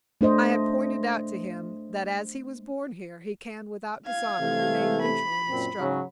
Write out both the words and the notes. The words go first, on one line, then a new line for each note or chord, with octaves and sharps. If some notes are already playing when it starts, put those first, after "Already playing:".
I have pointed out to him that as he was born here he can without dishonor remain neutral in the struggle.
A3 D4 C5 D#5
F5 G#6
C3 E3 A3
B5
F#2 A#2 C4
G#2 C#3 F#3